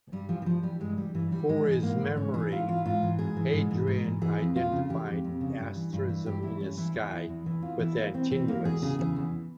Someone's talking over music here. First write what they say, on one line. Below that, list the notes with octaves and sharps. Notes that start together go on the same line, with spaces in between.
For his memory Hadrian identified an asterism in the sky with Antinous.
G2 G3
E3 F3
E3
G2 F3
E3 G3
G2 G#3
E3 G3
G2 E3
E3 G3
G#2 G#3
E3
G#2 A#3
E3
G#2 C#4
E3 G#4
G#2 F4
E3 F4
G#2 F4
E3
G#2 G#4
E3
G#2
E3
G#2
E3
E3 G#4
F2
F2 F4
C#3
E3 G4
F2
F2
C#3
G2
E3
G2
E3
G2 G4
E3 E4
G2 C#4
E3 E4
E2
E3
E2
E3
E2 F4
E3 E4
E2 A#3
E3 C4
E3 C4
E2 A#3
E2 G#4
C#3 G#4
E3 G#4
E2